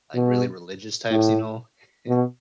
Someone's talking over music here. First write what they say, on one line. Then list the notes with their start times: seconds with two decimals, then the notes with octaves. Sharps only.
like, really religious types, you know? Yeah.
0.15 B2
1.11 A2
2.08 B2